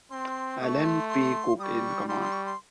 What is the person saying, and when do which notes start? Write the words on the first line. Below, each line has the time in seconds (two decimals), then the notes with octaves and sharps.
Allen P. Cook in command.
0.11 C4 C6
0.61 A3 D#6
0.64 C#6
0.85 C6
1.09 C6
1.60 G3 C#6 D#6
2.08 G3 C6
2.21 C6
2.33 C#6
2.46 C6